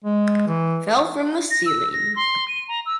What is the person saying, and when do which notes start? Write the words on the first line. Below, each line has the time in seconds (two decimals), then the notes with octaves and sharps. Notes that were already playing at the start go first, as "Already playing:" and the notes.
Fell from the ceiling!
0.04 G#3
0.47 E3
1.51 A#6
1.66 E6
1.93 A#6
2.16 C6
2.48 D#7
2.69 A#5
2.86 E6